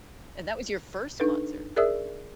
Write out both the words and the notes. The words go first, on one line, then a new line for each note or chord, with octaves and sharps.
and that was your first concert.
D4 D#4 A4 B4
G#4 A#4 D5 E5 D#6 E6